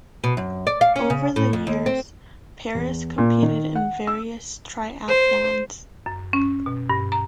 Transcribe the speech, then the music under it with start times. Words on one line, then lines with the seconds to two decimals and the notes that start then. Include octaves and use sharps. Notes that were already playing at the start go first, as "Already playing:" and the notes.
Over the years, Paris competed in various triathlons.
0.24 B2
0.37 F#2
0.67 D5
0.81 F5
0.96 C#4
1.10 C#3
1.36 A2
1.53 F2
1.67 D#2
1.86 C4
2.75 E2
3.18 A#2
3.42 D#3
3.75 F#5
4.07 E6
5.08 C5
6.06 F#2
6.33 C#4
6.66 B2
6.90 G2
7.12 A#5